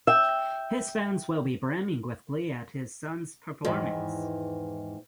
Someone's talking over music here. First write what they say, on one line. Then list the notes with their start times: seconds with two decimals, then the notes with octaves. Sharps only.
His fans will be brimming with glee at his son’s performance.
0.07 E5 G5
3.65 E2 G#2 D#3 E3